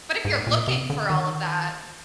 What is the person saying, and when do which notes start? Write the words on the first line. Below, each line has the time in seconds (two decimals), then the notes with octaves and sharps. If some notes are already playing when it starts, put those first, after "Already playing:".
But if you're looking for all of that,
0.25 G#2
0.47 A#2
0.68 C3
0.90 D3
1.10 D#3